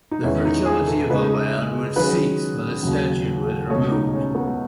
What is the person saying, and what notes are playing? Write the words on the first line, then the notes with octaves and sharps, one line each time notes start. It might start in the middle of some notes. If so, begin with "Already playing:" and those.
The fertility of the land would cease when the statue was removed.
D#4
E2 D#3 G#3 B3 C#4 E4
D#4
G#4
A4
C#3 G#3 D#4 B4
D#3 F#3 C#4 G#4 B4
D#2 C#3 F#3
C#2 B2 A3 C#5
D#4
C#4
B3